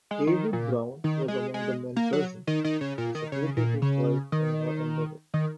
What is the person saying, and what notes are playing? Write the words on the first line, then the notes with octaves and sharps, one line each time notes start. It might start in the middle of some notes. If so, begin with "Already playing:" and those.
Heywood Broun was among the men present, and supported his wife in her endeavors.
G#3
D#3
A#2
D#3
G#3
G#3
A#3
F#3
D#3
D#3
C#3
A#2
D#3
C#3
A#2
C#3
D#3
D#3